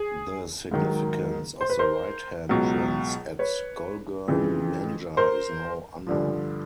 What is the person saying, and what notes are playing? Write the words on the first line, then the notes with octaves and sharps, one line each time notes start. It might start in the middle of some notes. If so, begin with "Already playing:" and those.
The significance of the right hand prints at Gulgurn Manja is now unknown.
Already playing: G#4
G#2 D#3 F#3
C5
B4
A#4 C5
C#2 B2 F#3
B4 C#5
F2 C#3 E3
A#4 C5
G2 D3 F3